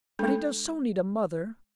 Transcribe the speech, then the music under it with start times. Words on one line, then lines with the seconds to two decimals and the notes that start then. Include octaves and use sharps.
"But he does so need a mother."
0.19 G#3 D4 A4 B5